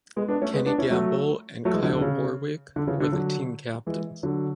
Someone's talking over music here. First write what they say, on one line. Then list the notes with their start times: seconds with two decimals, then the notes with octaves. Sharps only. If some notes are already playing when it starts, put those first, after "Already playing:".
Kenny Gamble and Kyle Warwick were the team captains.
0.16 G#3 B3
0.28 B3 D4
0.42 A3 C#4
0.54 G#3 B3
0.66 B3 D4
0.78 C#4 E4
0.90 F#3 A3
1.65 F#3 A3
1.74 E3 G#3
1.83 D3 F#3
1.93 D3
2.01 C#3
2.76 D3
2.87 C#3 E3
3.00 D3
3.12 D3 F#3
3.86 E3 G#3
4.23 D3 F#3